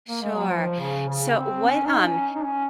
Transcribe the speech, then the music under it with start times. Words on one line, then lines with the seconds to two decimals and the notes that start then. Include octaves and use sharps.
Sure. So what um,
0.08 A#3
0.22 G#3
0.37 F#3
0.51 F3
0.80 C#3
1.09 C#3
1.37 C4
1.66 C#4
1.86 D#4
2.05 C#4
2.35 D#4
2.44 C#4